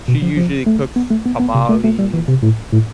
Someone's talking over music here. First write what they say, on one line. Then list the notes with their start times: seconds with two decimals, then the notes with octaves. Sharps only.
She usually cooks tamales,
0.08 B2
0.22 F3
0.37 F3
0.66 A3
0.96 B3
1.10 A3
1.25 B3
1.40 B3
1.55 C3
1.69 A3
1.84 A3
1.99 G3
2.14 E3
2.28 C3
2.43 A2
2.72 A2